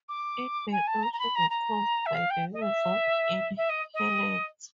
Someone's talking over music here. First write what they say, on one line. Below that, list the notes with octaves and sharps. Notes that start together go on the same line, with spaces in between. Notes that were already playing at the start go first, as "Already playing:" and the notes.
It may also be caused by the use of inhalants.
D6
G#5
A5
A#5
A#5
B5
A#5
A#5
E5
F5
G5
D#5
E5
E5
D#5
D#5